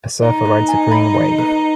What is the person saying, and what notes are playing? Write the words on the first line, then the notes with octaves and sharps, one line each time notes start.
A surfer rides a green wave.
D#4 D#5
B4
G#5
B5
D#5
B4